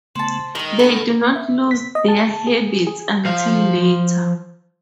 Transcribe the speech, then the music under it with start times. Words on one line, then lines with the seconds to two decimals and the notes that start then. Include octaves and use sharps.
They do not lose their habits until later.
0.15 C#3 A3 B3 C5 A5
0.55 D#3 G3 G#3 D#4
0.79 D4 G#4 A4 D#5 F#5 B5
1.36 E5
1.71 B6
1.95 D#5
2.08 A5
2.47 G#4
2.87 G#4
3.25 F3 F5